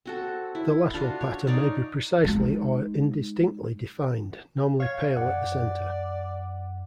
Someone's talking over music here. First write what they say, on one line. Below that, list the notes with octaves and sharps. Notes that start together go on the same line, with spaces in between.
The lateral pattern may be precisely or indistinctly defined, normally pale at the center.
C4 F#4 A4
E4
D4 F4 F#4 F5
C#5
D#4 C#5 D5 F5
G#3 D#4
C#5 F5 G#6
F#2 D5 F#5